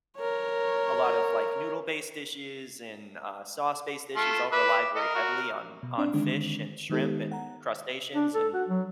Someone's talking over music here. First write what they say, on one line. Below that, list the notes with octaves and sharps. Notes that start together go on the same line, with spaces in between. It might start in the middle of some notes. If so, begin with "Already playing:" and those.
a lot of, like, noodle-based dishes and, uh, sauce-based dishes all rely very heavily on on fish, and shrimp, and crustaceans, and,
A#4 C#5
A3 F4 A4
B4 E5 D6
A#4 D#5
F#4
B2
C4 D4 D5
D3 D#3 G#3 C4 D4
D#3 G#3 B3 D#4 G4 A4
F#5 A#5
D4
A4
F#4
F#3